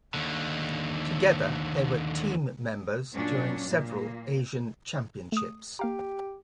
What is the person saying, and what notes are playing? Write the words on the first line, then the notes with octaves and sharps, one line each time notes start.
Together they were team members during several Asian Championships.
D#2 D3
A#2 F#3 C#4 D4
A#2 A#3
A3 D#6
A#3 G4 F5 A#5